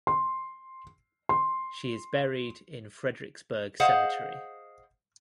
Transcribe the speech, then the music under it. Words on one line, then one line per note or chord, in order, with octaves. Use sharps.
She is buried in Frederiksberg Cemetery.
C6
C6
G#4 C5 D#5 F5 F#5